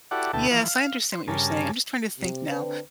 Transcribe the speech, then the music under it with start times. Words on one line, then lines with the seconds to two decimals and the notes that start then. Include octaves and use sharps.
Yes, I understand what you're saying, I'm just trying to think now.
0.11 E4 F#4 G4 A4 D5 F#5
0.33 D2 B2 A3 E4 G5 A5
0.51 E3 F3
0.68 F5
1.12 C5
1.28 G2 C#3 A#4 G#5 A5
2.17 C3
2.47 D3 C4 D4 B4